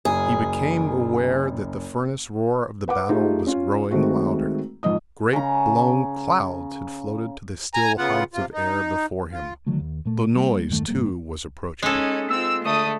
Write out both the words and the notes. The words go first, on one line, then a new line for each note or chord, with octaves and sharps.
He became aware that the furnace roar of the battle was growing louder. Great blown clouds had floated to the still heights of air before him. The noise, too, was approaching.
F#1 F#2 G#4
B4 F#5 D6
A3 D#4 F4 G4 G#4
C#4 F4
D#3 G#3 A3 C4 F#4
F2 G#2 D#5 D#6
C#3 A#5
G#5 A#5
C#3 B3 F4 F#5
C3 F4
D#4
F4
D3 D#3 F#3 A3
D#2
A#2 A3
G3 A#3
E2 G2 D#3 A3
G1 G3 A#3
G#3 C#4 D#4 A4
C4 F4 E6
D3 A3 D#6